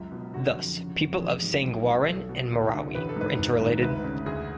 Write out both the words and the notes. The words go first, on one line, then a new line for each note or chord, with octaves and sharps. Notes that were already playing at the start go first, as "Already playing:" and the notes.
Thus people of Saguiaran and Marawi are inter-related.
Already playing: C#2 F#2
B2
D3 F#4
F2
C#3
F2
A1 G#4
G#2
B1
B2
B1 A4
B2
D2
D3
A1 B4
A4
G#2 B4
G#1
G#2
D2 B4
C#3
D2 G#4